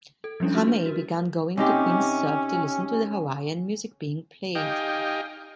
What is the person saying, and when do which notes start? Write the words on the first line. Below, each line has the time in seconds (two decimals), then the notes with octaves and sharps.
Kamae began going to Queen's Surf to listen to the Hawaiian music being played.
0.24 A4
0.40 F3 G3 A#3 C#4 D4 E4
0.54 F4 F#4 E5 C6 F6
0.68 D4 B4
0.86 F#4 A#4
1.57 C3 C#4 D#4 G4
4.55 D#4 G4 D#5 F5 G5 G#5